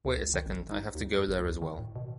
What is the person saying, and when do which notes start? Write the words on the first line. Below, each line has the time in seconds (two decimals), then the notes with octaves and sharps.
Wait a second, I have to go there as well.
0.05 D2
0.19 C#2
0.34 D#3
0.46 A1
0.72 D#4
0.95 D#2
1.13 F#2
1.27 G#1
1.39 D2
1.62 D#3
1.79 A2
1.96 B2